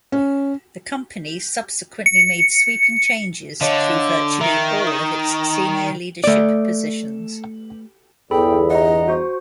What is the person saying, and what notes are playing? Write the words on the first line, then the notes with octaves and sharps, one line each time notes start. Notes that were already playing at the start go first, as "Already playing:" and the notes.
The company subsequently made sweeping changes through virtually all of its senior leadership positions.
C#4
C#7
D3 C#5 D#5 F5
D#3 E5
D#6
A3 D5
G1 E2 G#4 A4 G5 B5
D#5 F#5 A#5
F#4 C5 C#6